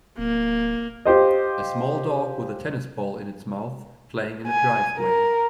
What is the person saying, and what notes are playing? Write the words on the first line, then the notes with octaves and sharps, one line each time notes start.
A small dog with a tennis ball in its mouth playing in a driveway.
D1 A#3
F4 G4 C5 D#5
G#5
A#4